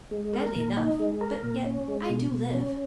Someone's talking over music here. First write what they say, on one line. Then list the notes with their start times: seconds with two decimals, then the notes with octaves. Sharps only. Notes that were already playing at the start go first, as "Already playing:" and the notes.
"Badly enough; but yet I do live."
0.11 G#3
0.33 A#4
0.55 A#2
0.77 D#4
0.99 G#3
1.21 A#4
1.43 A#2
1.66 C#4
1.88 G#3
2.10 B2
2.32 B2
2.54 C#4